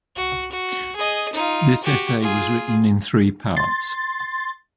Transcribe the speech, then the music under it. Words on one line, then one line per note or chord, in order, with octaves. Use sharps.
This essay was written in three parts.
F#4
F#4
G#4 D#5
D#4 F4
F#4 G4
F4 G#4
C6 A6